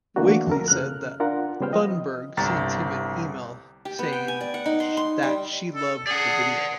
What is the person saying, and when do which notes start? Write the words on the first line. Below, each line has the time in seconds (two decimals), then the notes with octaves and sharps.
Wakely said that Thunberg sent him an email saying that she loved the video.
0.16 D3 E3 A3 A#3 D4 F#4
0.47 F2 A4 A#4
0.68 C#3 F6 F#6
1.20 D4 F4 A#4 F#5
1.61 C#3 G3 B3 C5 G5 F6
1.73 F3 D#5
2.37 G1 C2 G5 A#5 A6
3.85 G4
3.99 B3
4.13 G5
4.28 G#5
4.41 D5
4.54 F#5
4.66 D#4
4.80 C6
4.97 C6
5.23 G3
5.75 A4
6.07 G#4 D5 F#5